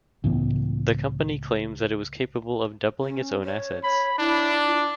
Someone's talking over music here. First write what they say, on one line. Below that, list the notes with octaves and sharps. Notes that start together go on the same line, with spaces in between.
The company claims that it was capable of doubling its own assets.
C#2 A2 E3 B3
C#4
C#5
C#5 B5
D4 E4
F4